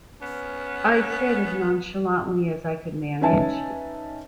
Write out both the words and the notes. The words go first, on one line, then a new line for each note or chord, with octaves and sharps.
I said, as nonchalantly as I could manage.
B3 C#4
C#4 D#4 B4 E5 G#5 A5